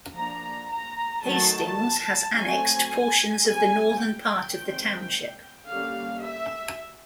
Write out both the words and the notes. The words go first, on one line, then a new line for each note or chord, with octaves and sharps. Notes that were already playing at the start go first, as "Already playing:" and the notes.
Hastings has annexed portions of the northern part of the township.
F3 A#3 D4 A#5
A#5
D#3 F#3 A3 A5
F#3 A3 C4 G#5
D3 G3 C4 G#5
G5
D#3 G#3 C4
D3 G3 A#3 C#4 F5
E5